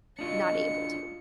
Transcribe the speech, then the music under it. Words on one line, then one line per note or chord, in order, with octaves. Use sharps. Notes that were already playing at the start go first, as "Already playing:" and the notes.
not able to.
D4 F4 F#4 D#5 C#7